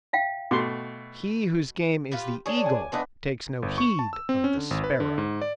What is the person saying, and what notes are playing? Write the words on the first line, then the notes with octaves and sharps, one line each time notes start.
He whose game is the eagle takes no heed of the sparrow.
E5 F5 G5
B2 A3 C6 D6
F4 G4 B4
D4 G#4 C#5
G#5 D6
F3 A3 B3 D4 D#4 B4
G1
C#6
A5
E6
C4
C#4
D3
G#1
B4
D3
G#2
D5